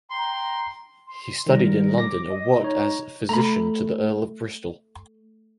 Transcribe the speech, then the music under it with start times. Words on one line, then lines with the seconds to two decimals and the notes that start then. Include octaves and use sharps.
He studied in London and worked as physician to the Earl of Bristol.
0.10 G5 A#5 C6
1.07 C6
1.46 D#3 G3 A#4
1.98 D6 A#6
2.30 D#5
2.60 D#4 C#5 A#5
3.29 A3 A#5 B5